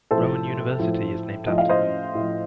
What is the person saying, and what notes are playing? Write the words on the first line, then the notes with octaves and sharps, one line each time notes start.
Rowan University is named after him.
A2 F3 A4 C5
A2 F3
A2 F3 D#5
F5
C5 D#5
A2 F3